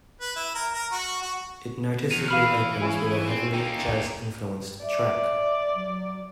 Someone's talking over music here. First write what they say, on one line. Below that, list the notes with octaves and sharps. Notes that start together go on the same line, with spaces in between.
It noticeably opens with a heavily jazz-influenced track.
B4
E4
A#4
A#4
F#4
F#4
E2 D#7 F7
E3 F5 B5 F6
C#4 E4 G#4
C4
A#3 D#4 G5
D5 E5
F#3